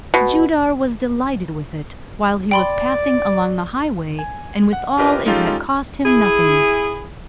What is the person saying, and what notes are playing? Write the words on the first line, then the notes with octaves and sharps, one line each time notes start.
Judar was delighted with it while he was passing along the highway and withal it had cost him nothing.
B2
D5 G5 B5 C6
G#5
F#5
C#4 F4 G4 A#4 B4 D#5
G#3 C#4 D#4 F4 G4 A4
E4 G#4